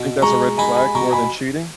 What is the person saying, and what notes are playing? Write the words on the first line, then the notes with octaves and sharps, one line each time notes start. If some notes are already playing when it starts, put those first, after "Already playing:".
Think that's a red flag more than cheating?
Already playing: B2
G#3 A#5 C#6
D#4 G#5 B5
G#5 B5
B2 A#5 C#6
G#5 B5